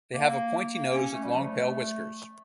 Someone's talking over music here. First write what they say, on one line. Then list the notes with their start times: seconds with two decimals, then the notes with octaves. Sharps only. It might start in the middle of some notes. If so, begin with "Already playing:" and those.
They have a pointy nose with long pale whiskers.
0.13 A#3
0.74 A#3
0.94 C#4
1.13 A3
1.23 G3
1.34 F3
1.44 A3